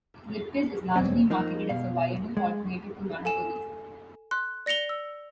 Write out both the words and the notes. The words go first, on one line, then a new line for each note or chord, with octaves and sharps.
Lyptus is largely marketed as a viable alternative to mahogany.
E2 B2 C4 C#4
F3 A#3 D#4
B2 F5
G#3
A4 G#5 E7
C6 F#6
D5 A#6 C#7 F7 G7
E6